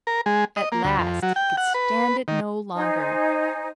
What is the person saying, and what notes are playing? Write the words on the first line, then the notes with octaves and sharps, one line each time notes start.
At last he could stand it no longer.
A#4
G#3
D#5
A#3
D2
F2
F#3
G5
F#5
B4
D#3
D#4 C5 G#5